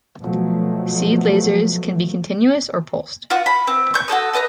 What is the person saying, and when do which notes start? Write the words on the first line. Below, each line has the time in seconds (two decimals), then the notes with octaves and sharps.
Seed lasers can be continuous or pulsed.
0.21 B2 F3 F#3 A3
3.30 F4 F#4
3.46 B5
3.67 C4
3.94 C#6 G6
4.08 F#4 G4 A4 D#6
4.33 A4 B4 D#5 A#5